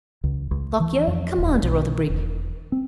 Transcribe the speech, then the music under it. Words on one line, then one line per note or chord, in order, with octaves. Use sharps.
Lockyer, commander of the brig.
C#2
C#2
E3
F2
D#1
B1
E1
C4